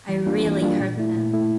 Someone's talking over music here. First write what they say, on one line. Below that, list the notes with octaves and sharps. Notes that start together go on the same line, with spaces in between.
I really hurt them.
E3
G3 A#3 D4 F4
E3
G3 A#3 D4 F4
A#2
A3 E4
A#2
A3 E4